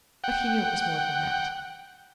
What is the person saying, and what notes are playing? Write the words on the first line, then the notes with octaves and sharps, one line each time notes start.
But he knew it was more than that.
F#5 G5